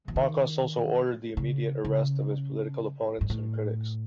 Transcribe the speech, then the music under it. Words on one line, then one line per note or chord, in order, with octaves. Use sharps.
Marcos also ordered the immediate arrest of his political opponents and critics.
E3
D#3
C#3
C#3
G#2
A2